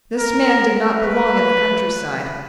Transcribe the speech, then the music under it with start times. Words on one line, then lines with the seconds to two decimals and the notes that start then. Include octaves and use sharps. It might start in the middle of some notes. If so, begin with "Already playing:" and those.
This man did not belong in the country-side.
0.18 A#4
0.92 B4